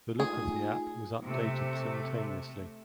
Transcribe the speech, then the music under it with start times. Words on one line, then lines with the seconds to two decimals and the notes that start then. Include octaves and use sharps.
The look of the app was updated simultaneously.
0.20 A3 D#4 F4 G#4 G#5
1.24 C3 A3